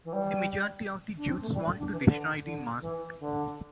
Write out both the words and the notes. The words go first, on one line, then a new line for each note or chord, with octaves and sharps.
The majority of the Jews want to destroy the mosque.
E3
G3
D4
C4
A3
G3
D3
D4
E3
D3
D3
E3
D3